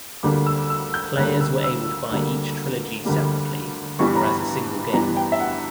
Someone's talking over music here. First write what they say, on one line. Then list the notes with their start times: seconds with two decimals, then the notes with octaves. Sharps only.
Players were able to buy each trilogy separately or as a single game.
0.23 D2 D3 G3 A#3 D6
0.47 E6
0.70 E6
0.94 G6
1.17 D2 D3 G3 A#3 F#6
1.41 E6
1.64 E6
2.11 D2 D3 G3 A#3
3.05 D2 D3 G3 A#3
3.99 G2 E3 G3 B3 C#6
4.07 B5
4.15 A#5
4.23 B5
4.93 G2 E3 G3 B3 A#5
5.16 G5
5.32 E5
5.40 F#5